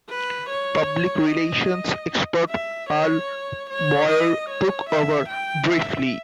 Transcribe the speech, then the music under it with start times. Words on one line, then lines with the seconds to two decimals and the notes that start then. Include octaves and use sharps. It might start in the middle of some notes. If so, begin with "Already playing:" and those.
Public Relations expert Carl Byoir took over briefly.
0.09 B4
0.50 C#5
1.29 D#5
2.49 E5
2.90 C#5
3.70 C#5
4.09 D#5
4.50 C#5
4.90 E5
5.29 G5
5.69 E5